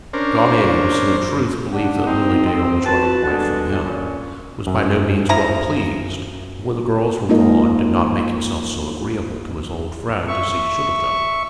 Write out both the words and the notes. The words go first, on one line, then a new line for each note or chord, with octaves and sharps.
John Eames, who in truth believed that Lily Dale was running away from him, was by no means well pleased, and when the girls were gone, did not make himself so agreeable to his old friend as he should have done.
C#4 D4 A#4 C5
D4 G4 F#5
C4 D#4
C4
F#4 B4 A5
B2 D3 G3 G#3
A#2 C#4
F#2
F3 E4 A#5
G#3 A#3 D#4 F4 A#4 D#5
E5 C#6